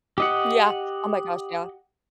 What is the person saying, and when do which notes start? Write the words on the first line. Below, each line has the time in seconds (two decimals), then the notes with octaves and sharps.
Yeah. Oh my gosh, yeah.
0.18 G4 D#5 F#5